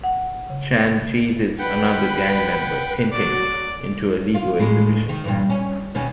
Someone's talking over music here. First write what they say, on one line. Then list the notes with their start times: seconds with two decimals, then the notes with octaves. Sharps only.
Chan chases another gang member, Tin Tin, into a Lego exhibition.
0.04 F#5
0.50 C#3
1.59 B4 F#5 G5 B5
3.11 F#3 F#4 D5
4.35 F4
4.59 A2 G#3
5.09 D#3
5.24 G2 A#2 E3
5.50 C#4
5.95 D#2 B2 C#4